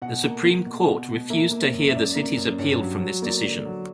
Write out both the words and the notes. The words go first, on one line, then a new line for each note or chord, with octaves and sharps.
The Supreme Court refused to hear the city's appeal from this decision.
B2 F#5
A#3
A#3
B2
B2
B2
A#3 E5
A#3
F#2
E5
F#2 D5
A#3
F#2
G2 C#5
F#3
F#3
A#3 D5
D3
F#3